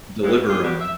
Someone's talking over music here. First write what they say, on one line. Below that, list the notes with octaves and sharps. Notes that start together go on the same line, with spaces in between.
deliver 'em.
E3 F3 G#3 B3
G3 F4 G4 G#4
A2 B3 F#4 G4
E5